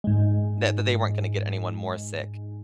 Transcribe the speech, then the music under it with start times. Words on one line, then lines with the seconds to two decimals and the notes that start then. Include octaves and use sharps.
th that they weren't gonna get anyone more sick.
0.04 G#2 G#3